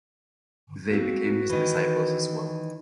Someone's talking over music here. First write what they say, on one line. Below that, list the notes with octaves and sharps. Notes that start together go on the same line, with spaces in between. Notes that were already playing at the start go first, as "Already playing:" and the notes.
They became his disciples as well.
A#3 C4 F#4
D#3 E3